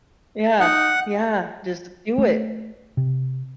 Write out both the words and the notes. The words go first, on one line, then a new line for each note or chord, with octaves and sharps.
Yeah. Yeah, just do it.
D#4 F#5
A3
C3